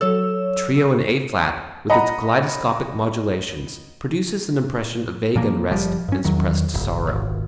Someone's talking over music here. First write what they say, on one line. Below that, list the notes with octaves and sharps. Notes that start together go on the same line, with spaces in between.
The Trio in A flat, with its kaleidoscopic modulations, produces an impression of vague unrest and suppressed sorrow.
F#3 A4 C#5 E6
D#5 F#5 A#5 B5
A#2 F3 A#3
F#1 F3 G3
G2 C#4
E2 D#3 F#3
D1 G1
D#1 G#1